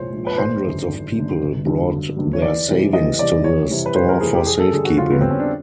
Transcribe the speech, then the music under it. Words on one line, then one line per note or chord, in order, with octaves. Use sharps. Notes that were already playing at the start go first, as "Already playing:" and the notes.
Hundreds of people brought their savings to the store for safekeeping.
Already playing: C2 A#2 F3 G#3 C5 C#5
A#2 F3 G#3
B4
G#1 C5
F#2 D3
G#1
F#2 D3
G1
G2 D3 F#3
G1
G2 D3 F#3
C#5
E2 D5
C3 E3 G3
E2 D#5
C3 E3 G3 D5
F2 C#5
C3 E3 G3
B4
F2 C5
A#4
C3 E3 G3 G#4
G4
F2 G#4
A4
D3 G3 G#4
F#4
F2 F4
B3
D3 G3 C4
C#4
D4